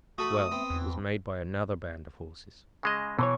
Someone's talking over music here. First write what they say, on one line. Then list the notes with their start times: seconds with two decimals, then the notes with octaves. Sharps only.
"Well, it was made by another band of horses."
0.18 A3 F#4 A4 B5 D#6
0.51 B3 C4
0.70 E2
2.83 C#3 G#3 D#5
3.19 B2 E3 C5 C#5